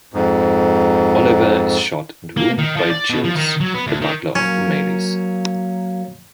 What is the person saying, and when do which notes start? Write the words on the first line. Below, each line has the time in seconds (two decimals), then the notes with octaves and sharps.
Oliver is shot and wounded by Giles, the butler of the Maylies.
0.14 F2 G#2
2.37 A#3
2.58 D#3
2.77 F3
2.90 D5
3.10 B2
3.24 F3
3.36 D#3
3.61 F#3
3.75 B3
3.87 D2
4.02 D#3
4.35 F#3 A#3 C#4